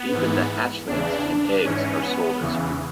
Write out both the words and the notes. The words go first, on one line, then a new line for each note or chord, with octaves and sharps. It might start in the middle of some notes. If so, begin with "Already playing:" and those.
Even the hatchlings and eggs are sold as food.
Already playing: B3
G#2 E3
E2 C#3 E3 D4
D4
G#2 E3 C#4
B3
E2 C#3 E3